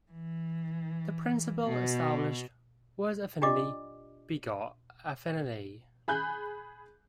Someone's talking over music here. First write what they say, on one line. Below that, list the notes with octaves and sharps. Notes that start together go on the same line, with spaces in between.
The principle established was affinity begot affinity.
E3
B2
D4 F4 G4 D5 D#5 D6
G#4 B5 F#6 G6